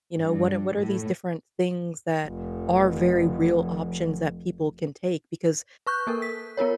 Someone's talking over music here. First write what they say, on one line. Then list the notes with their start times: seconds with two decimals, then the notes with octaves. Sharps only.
You know, "What a what are these different things that are very real options that people can take?" Because
0.20 G2
0.79 A2
2.27 F1 F2
5.87 B4 C#6 F#6 G6
6.07 A#3 A4 A#4
6.22 B6
6.57 B3 F4 A#4 C#5